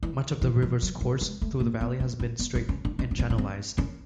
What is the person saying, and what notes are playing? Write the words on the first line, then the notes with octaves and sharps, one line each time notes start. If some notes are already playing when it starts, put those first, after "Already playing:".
Much of the river's course through the valley has been straightened and channelized.
E3
E3
F3
F#3
G3
G#3
A3
A#3
B3
C#4
C#4
B3
C#4
C#4
D4
C#4
C#4
C4
C#4
C4
C#4